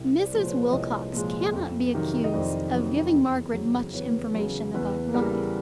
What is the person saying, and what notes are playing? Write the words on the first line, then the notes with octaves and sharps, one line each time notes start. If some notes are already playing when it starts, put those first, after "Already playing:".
Mrs. Wilcox cannot be accused of giving Margaret much information about life.
Already playing: C2
C5 D5
A#2 F3 G#3
C5
B4 C#5
C2 C#5 D#5
A#2 F3 G#3
F2
C3 D#3 F#3
D#5
F2 C5 D5
C3 D#3 F#3
E2
C#3 F#3
E2 B4 C#5
C#3 F#3
E2 B4
C#3 E3 G3 A#4